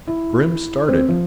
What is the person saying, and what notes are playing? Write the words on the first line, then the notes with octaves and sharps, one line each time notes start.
Grim started.
E4
C4
F3